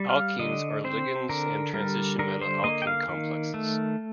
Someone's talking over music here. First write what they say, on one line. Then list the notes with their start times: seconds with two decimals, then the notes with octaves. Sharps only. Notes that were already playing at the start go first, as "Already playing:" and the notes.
Alkenes are ligands in transition metal alkene complexes.
Already playing: G3
0.09 F5
0.39 D3 D#5
0.84 C4 C5
1.29 D3 A#4
1.73 G3 A#4
2.19 D3 A#4
2.41 C5
2.64 A#3 D#5
2.82 G5
2.87 F5
3.09 D#3
3.54 A3